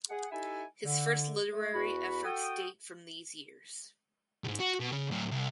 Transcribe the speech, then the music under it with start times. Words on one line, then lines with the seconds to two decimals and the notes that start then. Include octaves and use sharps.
His first literary efforts date from these years.
0.10 G#4 F#5
0.32 D#4 E4 G4 A4 E5 G#5
0.85 D3
1.52 A3
1.74 E2 F#4 B5
2.25 F#4 A4 G5 D#6
4.44 C2 G#2
4.60 F#4
4.80 B2
4.93 C#3
5.11 A2 F#3
5.31 C2